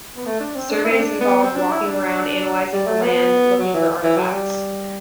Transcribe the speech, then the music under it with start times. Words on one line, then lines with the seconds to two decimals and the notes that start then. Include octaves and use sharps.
Surveys involve walking around analyzing the land looking for artifacts.
0.16 B3
0.26 A3
0.40 D4
0.56 C4
0.70 D4
0.84 E4
0.92 C4
0.99 D4
1.21 B3
1.42 C4
1.56 D4
1.72 E4
1.86 D4
2.73 G3
2.87 A3
3.02 B3
3.59 F#3
3.74 E3
4.04 E3
4.17 F#3
4.32 G3